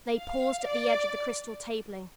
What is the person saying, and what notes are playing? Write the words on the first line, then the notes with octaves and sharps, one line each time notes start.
They paused at the edge of the crystal tabling.
F5
D5